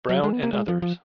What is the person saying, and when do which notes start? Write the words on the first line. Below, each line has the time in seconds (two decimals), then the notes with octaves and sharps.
Brown and others.
0.09 F#3
0.24 G#3
0.33 B3
0.43 A#3
0.53 G#3
0.68 F3
0.82 F3